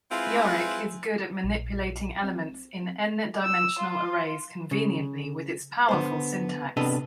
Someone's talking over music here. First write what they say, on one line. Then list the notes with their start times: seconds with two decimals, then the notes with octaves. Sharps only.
Yorick is good at manipulating elements in N-dimensional arrays conveniently with its powerful syntax.
0.11 G#3 C4 E4 F4 B4 G#5
1.44 A#1
2.24 C4
3.43 E6
3.78 F4
4.71 C#3
5.89 D3 B3 C5
6.77 C3 B3 D4 A4 B4 D#5